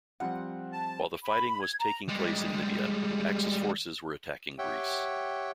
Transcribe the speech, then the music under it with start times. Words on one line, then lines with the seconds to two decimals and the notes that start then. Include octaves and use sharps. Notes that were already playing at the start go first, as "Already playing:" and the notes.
While the fighting was taking place in Libya, Axis forces were attacking Greece.
0.20 F3 G3 C4 F#5
0.73 A5
1.23 B5
1.63 G#6
1.80 A#5
2.08 G3 G#3
4.59 G4 C#5 E5 F#5 G5